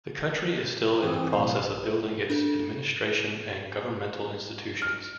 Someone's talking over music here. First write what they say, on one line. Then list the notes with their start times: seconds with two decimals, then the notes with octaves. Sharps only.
The country is still in the process of building its administration and governmental institutions.
1.03 E3 C4 D#6
1.33 B1 A2 C5
2.30 D4 A4
4.82 F6